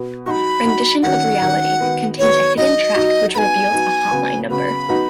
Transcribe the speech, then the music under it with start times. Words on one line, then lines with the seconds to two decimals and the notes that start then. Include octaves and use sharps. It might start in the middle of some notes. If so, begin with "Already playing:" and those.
"Rendition of Reality" contained a hidden track which revealed a hotline number.
Already playing: B2 B3
0.26 F#3 D#4 F#4 B5 C#6
0.64 F#3 D#4 F#4
1.03 D#3 F#3 C#4 F#4 F#5
1.42 D#3 F#3 C#4 F#4
1.80 D#3 B3 F#4
2.19 D#3 B3 F#4 C#5
2.57 F#3 D#4 F#4 D#5
2.95 F#3 D#4 F#4
3.34 F#3 B3 D#4 G#5 B5
3.73 F#3 B3 D#4
4.11 C#3 F#3 B3
4.50 C#3 F#3 B3 B5
4.89 F#3 B3 D#4 F#4